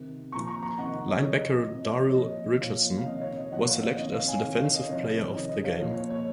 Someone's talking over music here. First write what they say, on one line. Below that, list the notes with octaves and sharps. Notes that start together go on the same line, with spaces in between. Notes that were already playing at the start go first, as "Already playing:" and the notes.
Linebacker Daryl Richardson was selected as the Defensive Player of the Game.
Already playing: C3 D#3
A#2 F3 A#5 C#6
A#5 C#6
A#5 C#6
C3 D#3 D#5 F#5
C#5
C3 F3 D#5
C3 F3 D#5
C#5
D#5
A#2 F3 D#5
A#2 F3 C#5 F5
F5
C3 D#3 D#5
C#5
D#5
A#2 F3 D#5 F#5
C#5 F5
D#5
C3 D#3 D#5
C#5 F5
F5 G#5
C3 D#3
C#5 F5
D#5
C3 F3 C#5
C3 D#3 D#5
D#5
C#5 F5
A#2 F3 C#5
C#5
C#5